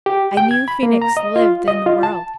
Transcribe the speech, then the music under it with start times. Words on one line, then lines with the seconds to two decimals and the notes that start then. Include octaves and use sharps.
A new Phoenix lived in the world.
0.06 G4
0.37 G5
0.51 G#6
0.68 B5
0.83 A#3
1.02 A#5
1.17 D#5
1.36 F4
1.68 D#5
1.86 F4
2.03 A5